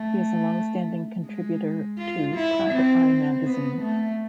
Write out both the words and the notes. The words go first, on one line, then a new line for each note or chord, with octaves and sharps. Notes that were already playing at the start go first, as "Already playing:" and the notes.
He is a long-standing contributor to "Private Eye" Magazine.
Already playing: A3
G#3
F4
E4
C4
B3
A3